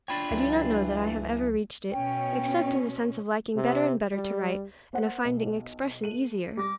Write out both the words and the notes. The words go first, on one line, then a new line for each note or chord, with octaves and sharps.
I do not know that I have ever reached it, except in the sense of liking better and better to write, and of finding expression easier.
D4 F4 C#5 G5 B5
C#2 G2 E3 F#3 G#3
B2 C#4 G5
C3
G3
A#3 C5 F#5
B1
A3 D#7 F#7
G3 D6 A#6